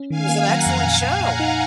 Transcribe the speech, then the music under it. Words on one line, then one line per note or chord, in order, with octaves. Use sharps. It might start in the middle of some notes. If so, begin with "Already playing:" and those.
He's an excellent show.
Already playing: C#4
D#3 F5 G#5
A#3
F#3 F#5 A#5
F2
A#2 F5 G#5
A#2
A#2 F#5 A#5
D#4